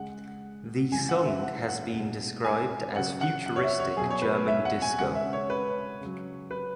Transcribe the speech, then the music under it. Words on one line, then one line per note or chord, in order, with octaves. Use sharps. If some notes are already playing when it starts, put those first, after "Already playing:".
The song has been described as futuristic German disco.
Already playing: C#3 G#3 F#5
C#3 E3 G#3 G#5
F#5
E5
F#5
F#5
B2
G#3
G#5
C#3 F#3 F#5
F#5
F#5
C#5
E5
C#5
B2 F#3 G#4
C#5
B4
E5
F#5
G#5
C#3 G#3 F#5
E5
C#5
B4
C#3 F#3
B4